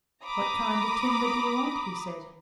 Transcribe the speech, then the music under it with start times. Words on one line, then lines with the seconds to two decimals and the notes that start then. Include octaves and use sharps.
"What kind of timber do you want?" he said.
0.24 A#5 B5 D6 D#6